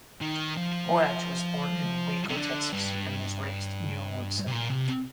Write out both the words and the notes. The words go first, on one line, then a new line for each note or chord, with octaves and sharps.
Poage was born in Waco, Texas and was raised near Woodson.
D#3
F3
C3
D3
G2
C3
A#2
C3